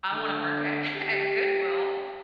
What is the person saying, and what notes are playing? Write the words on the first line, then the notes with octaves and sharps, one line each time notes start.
I wanna work at at Goodwill,
D3
G4